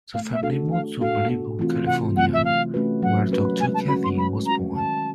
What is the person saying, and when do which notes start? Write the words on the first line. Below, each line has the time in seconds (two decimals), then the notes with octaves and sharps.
The family moved to Malibu, California, where daughter Kathy was born.
0.14 A3 F5
0.33 E5
0.43 D4 F#4 A4 F5
0.71 A3 F5
1.01 D4 F#4 A4 F5
1.29 C3
1.59 E3 A3 C4 F4
1.87 C3 F#5
2.16 E3 A3 C4 F4 F#5
2.33 E5
2.44 F#3 F5
2.74 A3 C#4 F#4 B4
3.02 F#3 F#5
3.31 A3 C#4 F#4 B4
3.60 G#3 G#5
3.74 A5
3.88 C#4 F#4 B5
4.04 C6
4.18 G#3 B5
4.46 C#4 F#4 A#5
4.76 D#3 A5